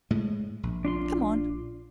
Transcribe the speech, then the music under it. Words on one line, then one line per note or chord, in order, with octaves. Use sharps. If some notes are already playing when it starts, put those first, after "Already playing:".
Come on.
A2 G#3
A#1
D4 F4 C6